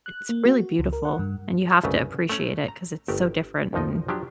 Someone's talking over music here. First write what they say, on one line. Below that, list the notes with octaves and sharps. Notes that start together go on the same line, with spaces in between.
it's really beautiful, and you have to appreciate it 'cause it's so different and
F#6
A#3
F#4
C#2
A#4
F#5
G2
C2 F#2 C#3 A3 B4 A#5
A3 C#4
A#5
G1 A3 G4 A#4
C2 F2 F3 D#4 D#5
F3 F#3 D4 G4